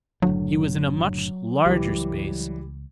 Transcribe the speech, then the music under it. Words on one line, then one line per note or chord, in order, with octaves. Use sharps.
He was in a much larger space.
F#1 A2 D3 F#3
C#2 E3 G3